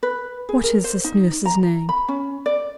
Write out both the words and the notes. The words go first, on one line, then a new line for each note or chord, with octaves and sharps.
"What is this nurse's name?"
B4
G#4
A#4
C5
D#4
A#5
B5
C#4
D5